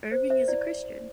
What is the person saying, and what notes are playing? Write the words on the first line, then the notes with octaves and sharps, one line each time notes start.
Erving is a Christian.
C5
C5 E5
E4 D5